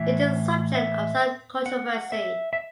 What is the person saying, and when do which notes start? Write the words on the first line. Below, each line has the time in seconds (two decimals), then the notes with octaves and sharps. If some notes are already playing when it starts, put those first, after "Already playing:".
It is a subject of some controversy.
Already playing: A2 E3 E5
0.75 E5
1.66 F#5
2.12 E5
2.53 E5